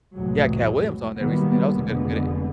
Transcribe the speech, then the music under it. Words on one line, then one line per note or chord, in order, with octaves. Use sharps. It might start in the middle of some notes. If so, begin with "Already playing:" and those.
He had Katt Williams on there recently, that was a good good e
C2 F2 A2 E3 F#3 G#3
B2 D#3 F#3 G3 A#3 B3
F1 F2 D3 G#3 B3